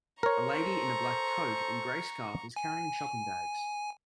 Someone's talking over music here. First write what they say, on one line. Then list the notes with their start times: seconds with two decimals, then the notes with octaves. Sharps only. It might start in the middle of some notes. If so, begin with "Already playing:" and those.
A lady in a black coat and a gray scarf is carrying shopping bags.
0.23 A4 A#4 C5 C#5 A#5 C#6
2.56 G#5